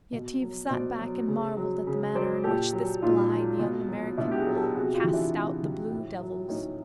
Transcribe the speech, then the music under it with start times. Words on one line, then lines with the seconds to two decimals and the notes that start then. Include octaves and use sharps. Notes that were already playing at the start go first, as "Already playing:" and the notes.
Yetive sat back and marvelled at the manner in which this blithe young American cast out the "blue devils."
0.12 B2
0.42 F#3
0.70 B2 C5 D5
0.99 F#3
1.28 C#3
1.57 F#3
1.87 C#3
2.15 F#3 C5 D5
2.44 A#2 G4 A4
2.73 F#3
3.02 A#2 D#4 F4
3.31 F#3
3.59 B2
3.88 F#3
4.17 B2 D4 E4
4.31 G4
4.37 F#4 G#4
4.46 F#3
4.56 G4 A4
4.75 C3 F#4 G#4
4.94 F4 G4
5.04 E3
5.13 D4 E4
5.33 C3
5.63 E3
5.91 A2
6.21 F#3
6.48 A2 C#4 D#4